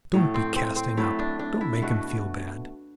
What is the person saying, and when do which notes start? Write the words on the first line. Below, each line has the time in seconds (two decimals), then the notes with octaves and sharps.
"Don't be casting up! Don't make him feel bad."
0.14 A2 F#3 A3
0.34 C4
0.56 C4
0.76 C4
0.97 A2 F#3 A3 E4
1.19 D4
1.39 D4
1.61 E4
1.82 B2 A3 F#4